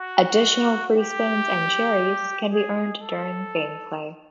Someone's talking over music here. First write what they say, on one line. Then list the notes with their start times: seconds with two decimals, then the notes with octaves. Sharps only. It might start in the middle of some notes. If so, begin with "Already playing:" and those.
Additional Free Spins and cherries can be earned during gameplay.
Already playing: F#4
0.96 G4
2.50 G#4
3.01 A4